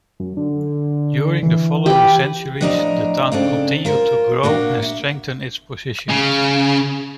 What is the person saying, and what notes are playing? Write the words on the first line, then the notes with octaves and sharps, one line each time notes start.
During the following centuries the town continued to grow and strengthened its position.
F#2
D3
E3
G4 B4
A2 F3 D4 D#5 A#5
C#3 C4 D4 A4
F4 A#4 C5
A#2 A#3 D4 F#4
E5
C#3